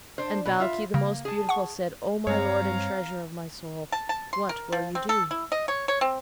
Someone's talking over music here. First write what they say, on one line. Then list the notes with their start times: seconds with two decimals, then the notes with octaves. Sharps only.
And Balkis the Most Beautiful said, 'O my Lord and Treasure of my Soul, what will you do?'
0.18 D4 C5
0.45 B2
0.60 F4 E5
0.94 C#3 A#3
1.25 G#4 A5
1.49 F#5 C#6
2.27 G2 C4 C#5 F5 A#5
3.92 A5
4.09 A5
4.33 C6
4.49 A#4
4.72 F3
4.95 C4
5.09 A4
5.31 E4
5.52 D#5
5.68 C#5
5.88 C#5
6.01 C4